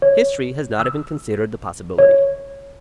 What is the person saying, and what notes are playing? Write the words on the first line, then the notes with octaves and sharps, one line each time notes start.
History has not even considered the possibility.
C#5
E6
C#5